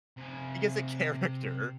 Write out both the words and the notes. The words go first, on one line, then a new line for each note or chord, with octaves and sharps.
because of character.
C3 G#5